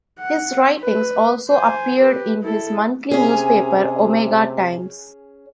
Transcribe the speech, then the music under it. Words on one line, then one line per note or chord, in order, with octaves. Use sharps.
His writings also appeared in his monthly newspaper "Omega Times".
F#5
B4
C5 G#5
G4 B4
E4 A4
C3 C#4 G#4